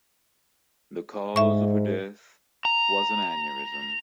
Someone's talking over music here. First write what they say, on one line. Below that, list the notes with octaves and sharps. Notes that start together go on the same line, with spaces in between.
The cause of her death was an aneurysm.
G#2 E5 C#6
A#5